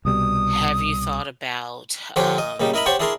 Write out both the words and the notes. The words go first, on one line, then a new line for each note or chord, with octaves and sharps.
Have you thought about, um,
C2 B2 G3 D#6
D3 F3 G4 C5 C#5
D#5
A#2 C#3 G3 D#4
E4 A#4 D#5 A#5 B5
G4 C5 C#5 F#5 A5 C#6
D4 E4 G#4 A#4 A#5 C6